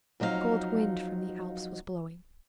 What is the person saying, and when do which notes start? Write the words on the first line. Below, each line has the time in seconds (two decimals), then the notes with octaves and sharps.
A cold wind from the Alps was blowing.
0.20 F2 F#3 D#4 F4 F5